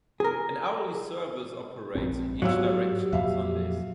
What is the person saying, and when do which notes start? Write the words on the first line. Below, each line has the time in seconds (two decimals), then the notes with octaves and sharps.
An hourly service operates in each direction on Sundays.
0.20 G#4 A#4
1.95 A#1 G#2 C4
2.42 G#2 F#3 B3 F4 G4 C#5 E6
3.12 F2 A#2 E5 F5